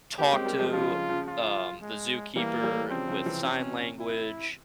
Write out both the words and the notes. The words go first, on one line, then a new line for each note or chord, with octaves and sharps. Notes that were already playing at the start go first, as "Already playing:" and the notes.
talk to, um, the zookeeper with sign language,
A#3 C#4 G4
G#3 C4
G3 A#3
F3 G#3
C#3 F3 F4
C#3 F3
C#3 F3
F4
G#3
E3 G3 A#3
E3 G3
C#3 F3 C4
C#3 F3
C3 E3
C3 C#4
E4